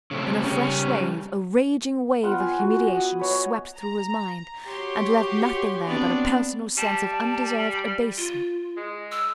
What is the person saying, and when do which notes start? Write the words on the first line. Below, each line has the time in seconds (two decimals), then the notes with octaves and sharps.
Then a fresh wave, a raging wave of humiliation, swept through his mind, and left nothing there but a personal sense of undeserved abasement.
0.11 C#3 A3 C4
0.45 C#3 G3 C#4
2.23 B3 F4 F#5 G5
2.40 G#5
2.59 F#4
2.90 F#5 D#6
3.19 B4 C#5 D#5
3.75 A#5
4.68 F#4 G4 C#5 C6
5.87 B3 C4 D4 D5
6.77 G3 A5
8.18 F4
8.77 G#3
9.12 E6